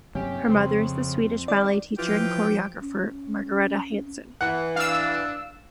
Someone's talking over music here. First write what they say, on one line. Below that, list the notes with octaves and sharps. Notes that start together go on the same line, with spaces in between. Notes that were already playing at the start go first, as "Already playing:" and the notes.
Her mother is the Swedish ballet teacher and choreographer Margareta Hanson.
G1 C3 F#3 A#3 C#4 G4
F2 C#3 C4 C6
D#3 D5
E3 F3 F4 G4 G5
C#4
E3 F#5
D4 F5 E6